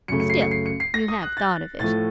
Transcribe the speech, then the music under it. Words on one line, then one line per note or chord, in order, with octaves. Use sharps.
"Still, you have thought of it?"
F#2 C#3 A3 C#7
C#7
C7
C#7
C7
C#7
C7
A#6
D#6
F#6
A6
A2 F3 A3 A6